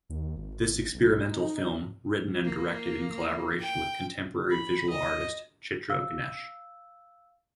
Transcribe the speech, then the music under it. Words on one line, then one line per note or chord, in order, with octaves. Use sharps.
This experimental film written and directed in collaboration with contemporary visual artist Chitra Ganesh.
D#2
G#1
B1
D#4
A#3
G5
B5
D#5
F5 E6